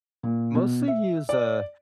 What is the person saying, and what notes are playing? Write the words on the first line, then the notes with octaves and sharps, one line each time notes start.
mostly use, uh,
A#2
B2
E5
D5